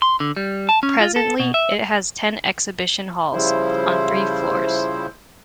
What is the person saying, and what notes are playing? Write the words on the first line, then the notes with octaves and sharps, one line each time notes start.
Presently, it has ten exhibition halls, on three floors.
C6
D3
G3
A5
C#4
F4
A4
B2
E5
C#3 F3 G3 E4 C5